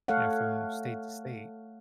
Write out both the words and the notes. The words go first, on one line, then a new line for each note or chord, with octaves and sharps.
you know, from state to state.
A3 A4 C#5 F5 F#5